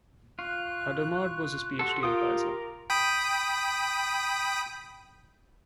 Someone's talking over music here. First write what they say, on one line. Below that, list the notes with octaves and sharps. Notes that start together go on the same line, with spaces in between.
Hadamard was his Ph.D. advisor.
F4 C#6 F#6
C#6
F#4 G4 A4 C6
F4 G4 A#4 G5 D#6
G5 B5 D#6